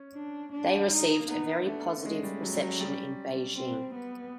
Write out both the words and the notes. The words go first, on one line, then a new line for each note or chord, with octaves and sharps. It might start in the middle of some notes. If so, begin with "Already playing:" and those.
They received a very positive reception in Beijing.
Already playing: C#4
D4
D4
D#4
A#3
B3 D#4
A3 D4
G#3 C#4
G3
F#3
G3
F#3
G3
C4
B3